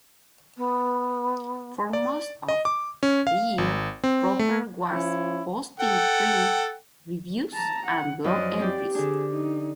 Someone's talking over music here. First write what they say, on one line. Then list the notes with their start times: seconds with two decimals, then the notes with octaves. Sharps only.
For most of the year Roeper was posting print reviews and blog entries.
0.57 B3
1.93 D5
2.48 D#5
2.65 D6
3.03 C#4
3.27 F5
3.58 G#1
4.04 C4
4.39 A3
4.92 F3 C#4 E4
5.80 A4 F#5 G5
7.53 A5 A#5
7.86 F#5
8.24 F#2 F3 F#3 D5 D#5
8.59 C4 G4 D5
8.95 D3 D4 G#4
9.31 D#4